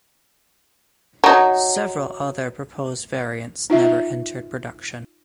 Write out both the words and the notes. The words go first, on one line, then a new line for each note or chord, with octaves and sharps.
Several other proposed variants never entered production.
F#3 D#4
D#4 F4 E5